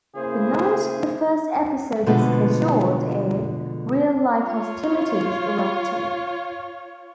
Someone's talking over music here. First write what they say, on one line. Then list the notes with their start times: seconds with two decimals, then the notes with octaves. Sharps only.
The night the first episode was scheduled to air, real-life hostilities erupted.
0.15 C#3 A#3 E4 G#4 C5
2.06 B2 D3 F3 G#3 A3 B3
4.43 F4 C#5